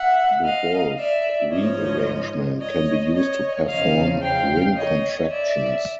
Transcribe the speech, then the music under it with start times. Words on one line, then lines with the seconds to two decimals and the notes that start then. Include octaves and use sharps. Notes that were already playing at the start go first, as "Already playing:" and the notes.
The Wolff rearrangement can be used to perform ring contractions.
Already playing: E5 F#5
0.44 D#5 F5
0.98 D5 E5
1.52 G#2 F3 C#5 D#5
2.61 C#5 D#5
3.14 C#5 D#5
3.68 E2 C#3 F3 D#5 F5
4.23 F5 G5
4.77 C#5 D#5
5.31 D5 E5